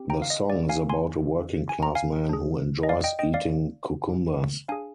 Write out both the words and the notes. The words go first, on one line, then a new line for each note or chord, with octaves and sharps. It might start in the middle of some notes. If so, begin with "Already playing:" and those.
The song is about a working-class man who enjoys eating cucumbers.
Already playing: C4 G4
G5 A#5
F5
D#5
D5
F5 G#5
G#5 C6
G#5
A#5
F5 G#5
D4 G#4
D#5
D5 F5
D#5 G5
D#5 G5
D5 F5
D4 G#4 F5 G#5